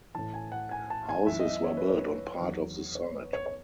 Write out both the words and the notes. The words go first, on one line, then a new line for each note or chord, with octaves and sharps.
Houses were built on part of the site.
A2 E3 A5
G#5
F#5
G#5
A5
G#5
F#2 E3 E5
D#5
E5
C#5
B4
C#5
E2 D#3 F#3
C#5
B4
C#5
C#5